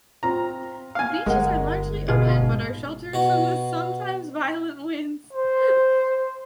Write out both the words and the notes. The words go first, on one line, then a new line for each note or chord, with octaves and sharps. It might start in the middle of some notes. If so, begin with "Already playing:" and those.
The beaches are largely open but are sheltered from the sometimes violent winds.
C4 F4 A#5
F5 G#5
G1 G#3 A#4 F#5
B2 F4 G#4
G#2
B2 F#4
C5